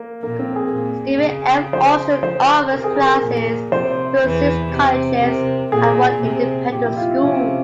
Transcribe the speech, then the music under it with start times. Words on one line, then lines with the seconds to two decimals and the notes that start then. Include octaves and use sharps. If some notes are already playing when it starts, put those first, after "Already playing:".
Stephen F. Austin offers classes through six colleges and one independent school.
Already playing: A#3
0.23 A#2 A#3
0.39 C4
0.56 G#4
0.73 A#2
1.22 C#3
1.73 C5
2.23 C5
2.72 C3 A#4
2.84 G#4
2.96 A#4
3.22 A#2
3.72 C3 C5
4.23 E2 E3
4.72 C3
5.22 C3 A#4
5.72 A#2 G#4
6.22 C3
6.72 A#2 G4
6.84 E4
6.97 F4
7.10 E4
7.22 C3 C#4